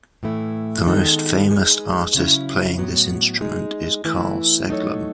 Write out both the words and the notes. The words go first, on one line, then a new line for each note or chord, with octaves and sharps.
The most famous artist playing this instrument is Karl Seglem.
A2 E3 A3 E4
D#3 G#3 B3 D#4 A4
G#3 D#4 G#4 B4
C#3 F#3 C#4 E4
A2 F#3 B3
G#3 D#4 G#4
E3 A3 E4 B4
F#3 A3 D#4 A4 C#5